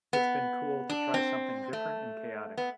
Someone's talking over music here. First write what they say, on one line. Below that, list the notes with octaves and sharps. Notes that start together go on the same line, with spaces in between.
It's been cool to try something different and chaotic.
B3
D4
C4
A3
B3